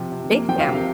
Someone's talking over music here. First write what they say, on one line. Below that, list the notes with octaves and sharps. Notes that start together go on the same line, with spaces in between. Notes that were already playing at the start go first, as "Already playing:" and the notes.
Big family.
Already playing: C3 F3
C3
A#3
F3 G5
F5
C3